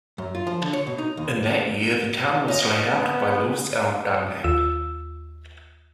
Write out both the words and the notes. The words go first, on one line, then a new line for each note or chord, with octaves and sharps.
In that year the town was laid out by Lewis L. Dunlap.
F#2
F4
F3
D3
C#5
B2
D#4
D#2
C#4 D#5
B3
D#2 F4 E6